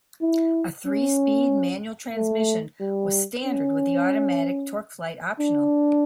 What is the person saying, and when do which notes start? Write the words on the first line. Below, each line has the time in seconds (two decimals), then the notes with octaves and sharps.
A three-speed manual transmission was standard with the automatic TorqueFlite optional.
0.21 E4
0.86 C#4
2.16 A3
2.80 G3
3.45 C#4
5.39 D4